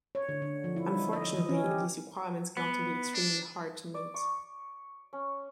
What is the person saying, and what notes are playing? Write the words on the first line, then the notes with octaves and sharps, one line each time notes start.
Unfortunately, these requirements can often be extremely hard to meet.
C#5
D3
D3
F3
E4
D#4
D#5
E3
C#4
G4
B3
D4
D5
C#6
C#4